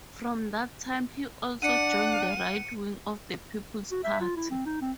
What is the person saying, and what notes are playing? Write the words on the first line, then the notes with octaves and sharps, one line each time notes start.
From that time he also joined the right wing of the People's Party.
D4 F#5 C#7 D#7
F#4
E5
F4
E4
C4
D#4
C4